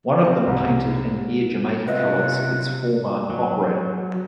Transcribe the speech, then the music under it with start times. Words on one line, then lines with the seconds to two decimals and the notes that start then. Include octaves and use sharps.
One of them painted in Air Jamaica colours, its former operator.
0.25 C4
0.47 C2
1.87 C3 F4 B4 D#5 E5 F#6
3.30 F#3